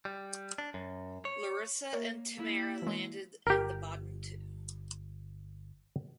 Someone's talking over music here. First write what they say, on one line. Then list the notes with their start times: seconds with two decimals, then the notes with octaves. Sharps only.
Larissa and Tamara landed in the bottom two.
0.05 G3
0.58 D4
0.74 F#2
1.25 C#5
1.93 A#3 A#4 C#5
2.33 A#3 E4
2.82 E3 G#3
3.47 G1 G4 A#4